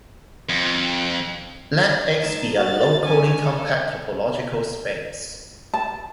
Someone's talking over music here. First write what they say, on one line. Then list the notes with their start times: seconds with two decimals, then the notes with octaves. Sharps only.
Let "X" be a locally compact topological space.
0.49 F2
2.20 G2 A3 D#4 A5
2.56 F#4 A6
3.03 D3 G#3 C#4 G#5
3.43 A4
5.74 A5